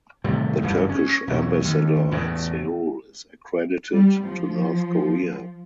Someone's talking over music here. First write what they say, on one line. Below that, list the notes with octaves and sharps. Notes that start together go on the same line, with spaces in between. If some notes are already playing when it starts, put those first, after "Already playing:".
The Turkish ambassador in Seoul is accredited to North Korea.
D#1 A2 C3 G3
F#1 D2 G2 E3
C#4
B1 E2 F#3
D#2
E2 A2 C#3
G3
F3